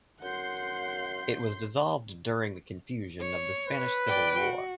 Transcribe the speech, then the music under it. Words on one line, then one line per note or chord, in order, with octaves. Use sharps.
It was dissolved during the confusion of the Spanish Civil War.
F#2 F#5 C6 G6 C7
C#5
B4
D5 G5
F#4